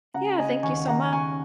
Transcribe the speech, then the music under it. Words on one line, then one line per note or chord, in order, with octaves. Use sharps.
Yeah, thank you so much,
C#3 F#5 A#5
C#3 D#5 G#5
D#2 G#5 C#6
D#2 F#5 A#5
C#3 G#5 C#6